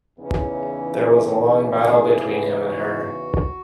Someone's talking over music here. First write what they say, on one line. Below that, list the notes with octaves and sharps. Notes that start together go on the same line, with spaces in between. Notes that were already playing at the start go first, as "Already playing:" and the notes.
There was a long battle between him and her.
E2 C#3 E3 B3 C#4 D#4
G#4
F#4